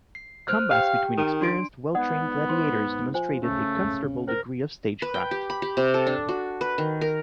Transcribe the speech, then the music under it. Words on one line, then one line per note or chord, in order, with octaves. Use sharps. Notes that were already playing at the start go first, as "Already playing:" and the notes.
Combats between experienced, well trained gladiators demonstrated a considerable degree of stagecraft.
C7
C5 F6 F#6
G4 F5 G5
D#3
D4 C6 D7
G#2 B3 D5 F#5 D#6
C5 C6
F3 C5 G#5
C#3 A3
A#4 C5
B4
G5
G4
B5
G4
C3
A4
D4
F#4
B4
D#3
A#4